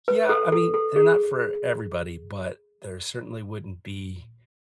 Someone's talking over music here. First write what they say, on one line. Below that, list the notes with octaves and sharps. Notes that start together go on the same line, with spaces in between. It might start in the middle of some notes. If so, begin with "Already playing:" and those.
Yeah. I mean, they're not for everybody, but there certainly wouldn't be
B4
A4
A4
A4
G#4